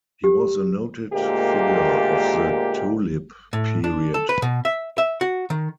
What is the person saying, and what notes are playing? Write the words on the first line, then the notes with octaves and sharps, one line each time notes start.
He was a noted figure of the Tulip period.
G4
D2 A#2 G#3 A#3 G4
A2
D4
A4
B4
B2
E5
E5
F#4
D#3